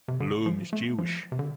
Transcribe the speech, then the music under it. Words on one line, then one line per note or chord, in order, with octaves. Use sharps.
Bloom is Jewish.
C3
D3
F3
A3
F3
C3
D3